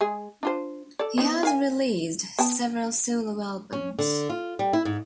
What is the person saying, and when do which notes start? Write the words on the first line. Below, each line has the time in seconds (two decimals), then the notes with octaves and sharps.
He has released several solo albums.
0.01 G#3 G#4
0.43 D4 F4 C5
0.99 A4 D5
1.18 B3 C4 D#4
1.43 A#4 F5 G#5
2.39 B3 G5 A5
3.73 C#4
3.99 D3
4.30 F4
4.59 G3
4.73 E4
4.85 G#2